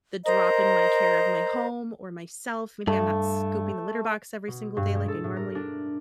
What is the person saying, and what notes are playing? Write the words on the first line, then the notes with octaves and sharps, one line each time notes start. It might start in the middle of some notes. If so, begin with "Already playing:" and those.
the drop in my care of my home or myself, maybe I'm not scooping the litter box every single day like I normally
A#4 C5 D#5 A#5
G2 A3
B2
G2
G#3
A4
A2
A#4
D4